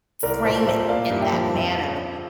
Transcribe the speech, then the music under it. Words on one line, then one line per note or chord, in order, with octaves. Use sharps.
frame it in that manner,
C2 A#4 D5
A#2 A4 C5
A#2 C5 E5
A#3 D5 F5
G2
E5 G5
F3
F2